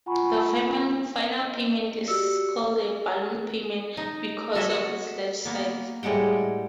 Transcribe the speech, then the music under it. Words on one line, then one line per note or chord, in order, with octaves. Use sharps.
The final payment is called a "balloon payment" because of its large size.
F4 F#5 G#5 A#5 B5 C#6
D#5
F#4 G4 D5 E6 C#7
D#4
F#4 A4 C#5 D#5 E5 F#5
A#3 B3
A2 G3 G#3 F#5 G5